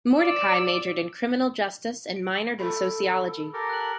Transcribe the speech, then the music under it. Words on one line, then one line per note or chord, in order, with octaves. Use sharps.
Mordecai majored in criminal justice and minored in sociology.
D5 E6
D7
A4 B5
G4 A4 A#4
F#6 F#7